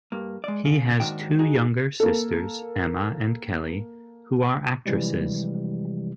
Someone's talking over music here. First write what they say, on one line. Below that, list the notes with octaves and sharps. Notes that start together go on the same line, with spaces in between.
He has two younger sisters, Emma and Kelly, who are actresses.
G2 A#3
G#3 D5
C#3
D#2 G#2 D#3 D4 F#4 G5
D#4 F#4 G#4
A#3 A4
C3 E3 F3 G3 G#3